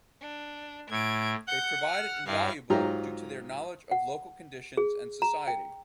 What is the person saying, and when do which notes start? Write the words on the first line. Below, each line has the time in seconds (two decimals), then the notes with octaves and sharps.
They provided invaluable due to their knowledge of local conditions and society.
0.21 D4
0.90 A2 G#6 D7
1.48 F#5 G6 C#7
1.89 F6
2.26 G2 E4 F5
2.70 G#2 F#3 F4 G4 A#5
3.91 F#5
4.77 G#4
5.22 A#5
5.48 G5